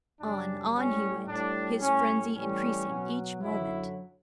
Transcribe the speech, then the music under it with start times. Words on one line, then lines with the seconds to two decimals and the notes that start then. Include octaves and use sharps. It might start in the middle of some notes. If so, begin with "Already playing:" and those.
On--on he went, his frenzy increasing each moment.
0.21 F#2 C#3 G3 D4
0.75 A2 G3 C#4
1.28 A2 G3 D4
1.81 A2 G3 C#4
2.34 A2 E3 G3 C#4
2.88 B2 F#3
3.41 F#2 D3 F#3 E4